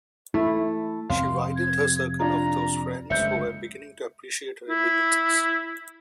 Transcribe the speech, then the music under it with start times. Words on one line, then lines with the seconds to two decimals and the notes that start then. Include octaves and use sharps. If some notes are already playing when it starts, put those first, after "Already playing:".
She widened her circle of those friends who were beginning to appreciate her abilities.
0.34 A3 E4
1.10 F2 C3 C4 F5 C6
1.56 G#6
2.20 D4 F4 A#5
3.10 F#1 D2 G#3 E5 G6 C#7
4.70 E4